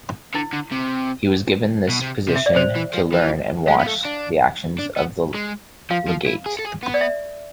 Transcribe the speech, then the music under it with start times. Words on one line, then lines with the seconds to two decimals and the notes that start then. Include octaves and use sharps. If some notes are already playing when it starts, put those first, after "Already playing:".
He was given this position to learn and watch the actions of the legate.
0.35 D3 E4
0.53 D3
0.72 C3
1.89 B2
2.02 C3
2.29 C3
2.36 E5
2.46 D5
2.56 C3 C5
2.76 E3
2.94 F3
3.13 E3
3.68 G#3 F5
3.80 B3
3.87 A3
4.05 D4
4.79 D4
4.97 B3
5.35 G#3
5.91 F3 F5
6.09 F3
6.27 E4
6.46 G#4
6.59 A4
6.65 G#4
6.83 B3
6.94 D5
7.01 E5